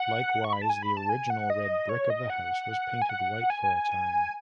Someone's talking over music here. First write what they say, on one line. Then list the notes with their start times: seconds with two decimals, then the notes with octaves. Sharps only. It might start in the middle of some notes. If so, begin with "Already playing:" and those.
Likewise, the original red brick of the house was painted white for a time.
Already playing: F#5
0.44 C#6
0.53 B5
0.61 A5
0.70 G#5
0.83 B5
0.97 A5
1.09 G#5
1.30 F#5
1.50 D#5
1.89 C#5
2.10 D#5
2.30 F#5
3.02 G#5
3.09 F#5
3.50 G#5